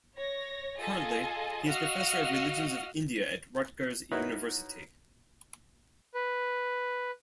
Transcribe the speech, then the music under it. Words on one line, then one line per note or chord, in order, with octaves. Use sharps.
Currently, he is professor of religions of India at Rutgers University.
C#5 A#6
F4 G#4 A4 D#5 G#5
F#4 D#5 F5 F#5 E6 F6
D#4 E4 F#4 A#4 B4 C#5
B4